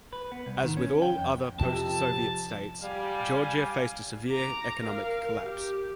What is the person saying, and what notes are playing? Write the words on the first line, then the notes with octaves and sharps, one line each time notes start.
As with all other post-Soviet states, Georgia faced a severe economic collapse.
B4
B3
C2
D#3
C#4
G5
F2
F2 C3 A5
G3 F5 G#5
A#5 D6
A#4 F5
G4